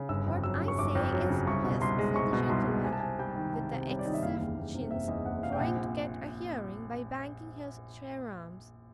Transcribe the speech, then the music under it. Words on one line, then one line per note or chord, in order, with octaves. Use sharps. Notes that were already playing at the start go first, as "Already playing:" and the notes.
"What I say, is this," said the gentleman with the excessive chins, trying to get a hearing by banging his chair arms.
Already playing: C#3
G1 E6
F2
F#3 E6
C#3
C#6
G1 D6
F2
F#3
C#3
C2 C#6
B2
C2 C6
G#3
C2 C#6
B2
C2 C6
G#3
C2 G#5
A5
C3 G#5
G3 G5
D#3
C2
C3
G3 C#5
D5
D#3 D#5
E5
F#1 F5
E2
F#1
C3
F#1 E5
E2 D#5
F#1 F#5
C3 F5
G5
A#1 F#5
A#2